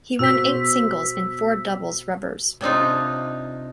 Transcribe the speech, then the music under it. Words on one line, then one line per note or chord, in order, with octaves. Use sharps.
He won eight singles and four doubles rubbers.
B2 F#4 C5 E6 B6
C3 D4 D#4 F4